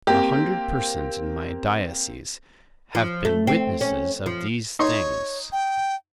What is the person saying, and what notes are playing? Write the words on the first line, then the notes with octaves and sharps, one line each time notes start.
A hundred persons in my diocese have been witnesses of these things.
A#3 C4 G4
F3
A3
C4
C#4
F3
D#4 C#5 C6 C#6
G5